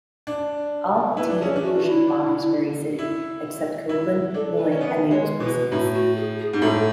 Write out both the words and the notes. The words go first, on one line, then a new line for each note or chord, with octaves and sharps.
All contain a portion of Bonners Ferry City except Copeland, Moyie, and Naples precincts.
D4
E4 B4
D4
C#4 G#4
D4
F#4
F#4
E4
D4
E4
E4
D4 A4
B4
C#4
B3 B4
G#3 C#5
B2 B4
A2 F#4
F#4
G#4
G#4
G#2
A2 A4